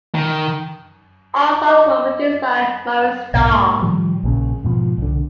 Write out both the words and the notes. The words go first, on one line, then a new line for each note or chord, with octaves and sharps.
All songs were produced by Maurice Starr.
D#3
D#5 D6
B1 G#2 B3
G#2 A#3
A2 D#3 F3 G3
A#1 A#2 C#3
G#2 B2 F3
C2 D3